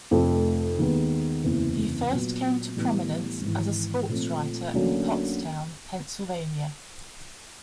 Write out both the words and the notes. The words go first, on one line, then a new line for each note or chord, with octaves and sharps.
He first came to prominence as a sportswriter in Pottstown, Pennsylvania.
F1 F2 C3 F3 A3
D#2 D#3 G#3 B3
F#1 E2 C3 E3
A#2 F#3 B3
A2 E3 G3 B3
G#1 G#2 E3
A#2 F3 A3 C4
D2 D3 F#3 A#3 C#4